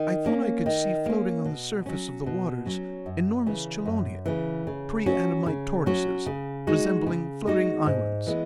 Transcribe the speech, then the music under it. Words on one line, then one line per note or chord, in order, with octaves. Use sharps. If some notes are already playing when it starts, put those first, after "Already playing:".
I thought I could see floating on the surface of the waters enormous chelonia, pre-adamite tortoises, resembling floating islands.
Already playing: D#3
A#3 C#4
D#3
A#3 C#4
B2
F#3 C#4
B2
F#3 C#4
F#2
C#3 E3
F#2
C#3 E3
C#3
F#3 C#4 F#4
C#3
F#3 C#4 F#4
C#3
G#3 D#4 F#4
C#3
G#3 D#4 F#4
G#2
E3 G#3 B3 E4